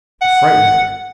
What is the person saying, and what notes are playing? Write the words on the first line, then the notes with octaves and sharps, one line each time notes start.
It frightened her.
F#5